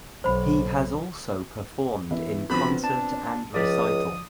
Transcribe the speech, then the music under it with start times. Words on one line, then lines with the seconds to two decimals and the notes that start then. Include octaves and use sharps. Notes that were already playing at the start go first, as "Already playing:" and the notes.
He has also performed in concert and recital.
0.24 B1 C5 B5
2.11 E3 B3 E4
2.50 D3 F3 B3 C4 F4 F#4 B5
2.84 D4 A5
3.54 C#2 F3 D5 D6 D#6